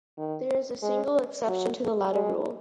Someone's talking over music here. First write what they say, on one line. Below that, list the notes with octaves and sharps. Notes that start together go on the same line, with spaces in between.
There is a single exception to the latter rule.
D#3
G#3
F#3
G#3